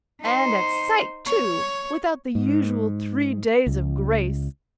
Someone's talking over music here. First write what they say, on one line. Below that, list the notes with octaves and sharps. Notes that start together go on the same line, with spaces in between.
And at sight, too, without the usual three days of grace.
D#4 C5
C#5
G#2
C#2